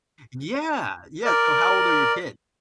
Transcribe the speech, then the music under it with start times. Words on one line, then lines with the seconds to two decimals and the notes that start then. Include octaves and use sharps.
Yeah, yeah. So how old are your kids?
1.25 A#4 D5